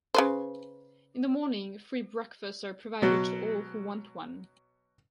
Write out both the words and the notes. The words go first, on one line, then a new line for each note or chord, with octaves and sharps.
In the morning, free breakfasts are provided to all who want one.
C#3 B4 C5
B2 F#3